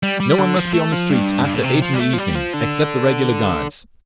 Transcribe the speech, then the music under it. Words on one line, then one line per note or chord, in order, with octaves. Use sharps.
No one must be on the streets after eight in the evening, except the regular guards.
G3
G3
D3
F3
A3
F3
G2
G2
A2
C3
F3
G3
A3
F3
G3
F3
D3